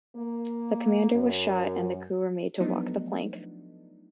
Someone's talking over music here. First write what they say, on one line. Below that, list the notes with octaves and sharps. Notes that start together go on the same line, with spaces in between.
The commander was shot and the crew were made to walk the plank.
A#3
F#2
F3 F#3 A3 B3 D4 D#4